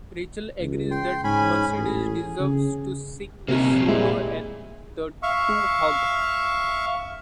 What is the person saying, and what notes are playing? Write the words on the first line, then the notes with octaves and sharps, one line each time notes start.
Rachel agrees that Mercedes deserves to sing the solo and the two hug.
C#2
G5 C6
G#2 C#4 G#5 B5
A1 G#4
C#3
C3 A#3 C#4 D#4
F2 A#2 C4
A#2 G3 G#3 E4
E5 F5 C#6